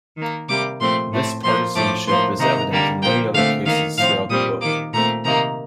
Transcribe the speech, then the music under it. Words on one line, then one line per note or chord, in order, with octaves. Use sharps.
This partisanship is evident in many other cases throughout the book.
D#3 A#3
C3 G3 A#3 D6
A#2 F3 A3 C4 C6
A2 A3 C4
A#2 F3 A#3 C6
A2 F3 A3 D6
A2 F3 A#3 C6
C3 D#3 A#3 A#5
D3 G3 A#3
A#2 F3 A#3 G5
D3 A3 C4 F5
D#3 A#3 F5
A2 F3 C4 F5
A#2 G3 C4 D#6
D#3 A#3 D6
A#2 A3 C4 A#5
C3 D#3 A#3 A#5